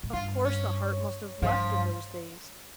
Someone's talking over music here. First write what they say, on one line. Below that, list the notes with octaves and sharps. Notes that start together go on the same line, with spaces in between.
Of course, the heart must have leaped in those days.
G#2
G2 F4
C#4
G2 F3